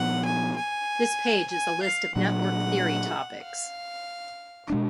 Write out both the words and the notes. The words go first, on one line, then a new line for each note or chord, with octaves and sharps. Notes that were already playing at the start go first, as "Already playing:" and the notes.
This page is a list of network theory topics.
Already playing: A#2 F3 B3 F#5
G#5
G#5
G#5
F5
A#2 F#3 D4 F#5
F5
B2 G#3 D4